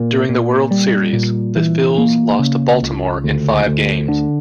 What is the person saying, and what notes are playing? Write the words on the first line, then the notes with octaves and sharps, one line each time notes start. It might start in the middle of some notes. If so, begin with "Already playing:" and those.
During the World Series, the Phils lost to Baltimore in five games.
Already playing: A#2
A#2
G3
A#2
E3
A#3
C#3
C#2
D2
D2
D3